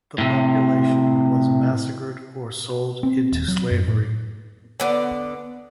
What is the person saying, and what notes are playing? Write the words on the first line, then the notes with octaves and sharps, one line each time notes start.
The population was massacred or sold into slavery.
A2 C3
C4
D#1
F#3
F#2
A2
D3 B3 D5